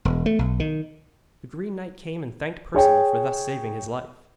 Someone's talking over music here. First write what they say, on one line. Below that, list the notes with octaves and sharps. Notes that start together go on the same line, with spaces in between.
The green knight came and thanked Perceval for thus saving his life.
E1
A3
B1
D#3
G#4 C#5 G5